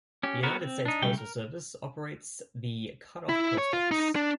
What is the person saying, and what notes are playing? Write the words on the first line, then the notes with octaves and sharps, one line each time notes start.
The United States Postal Service operates the Cut Off Post Office.
C#4 G4
B3 F#4 A#4 B4
C4
D4 D#4
C#3 G3 A3 G4 G5
A#4
E4
C#5
F4
D#4
D4